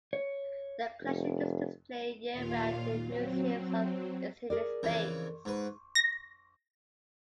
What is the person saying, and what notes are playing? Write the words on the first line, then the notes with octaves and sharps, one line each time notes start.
The collection is displayed year-round in the museum's of exhibit space.
C#5
F1
D#2 A#2 F4 F5
F#3 C4
G#4 A#4 D5
F2 C#3 E3
G#2 B4
A#6